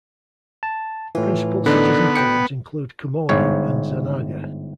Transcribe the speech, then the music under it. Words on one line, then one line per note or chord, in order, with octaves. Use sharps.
Principal cities and towns include Komono and Zanaga.
A5
A2 E3 F4
D3 B3 D4 D#4 A4 A#4 D5
D2 F#4 B4 G5 C#7
G1 G#2 C#5